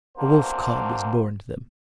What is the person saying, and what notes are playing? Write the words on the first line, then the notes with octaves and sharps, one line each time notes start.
A wolf cub is born to them.
B2 A#3 C4 D4 C5